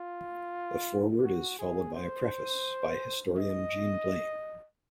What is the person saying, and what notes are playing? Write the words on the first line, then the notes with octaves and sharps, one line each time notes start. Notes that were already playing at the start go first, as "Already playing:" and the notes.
The foreword is followed by a preface by historian Jean Blain.
Already playing: F4
F#4
G#4
C5
D#5